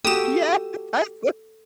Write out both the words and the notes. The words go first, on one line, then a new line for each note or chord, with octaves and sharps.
Yes! I sw
F#4 G4 A4 D#6 E7